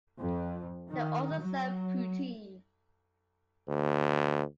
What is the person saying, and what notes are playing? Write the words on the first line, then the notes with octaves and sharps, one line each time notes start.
They also serve poutine.
F2
D#3
F#3
D2